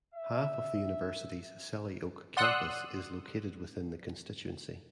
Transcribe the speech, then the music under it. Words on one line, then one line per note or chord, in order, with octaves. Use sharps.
Half of the University's Selly Oak campus is located within the constituency.
E5
D5 F#5 C6 D#6 E6 F#6